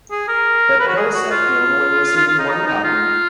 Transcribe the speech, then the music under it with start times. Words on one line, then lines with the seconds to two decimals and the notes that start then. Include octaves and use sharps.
But Hill said he only received one copy.
0.11 G#4
0.28 A#4
0.79 B4
0.88 F#4
0.96 G#4
1.13 F#4
1.30 F4
2.16 F4
2.27 F4
2.39 D#4
2.50 D#4
2.67 D#4
2.84 F4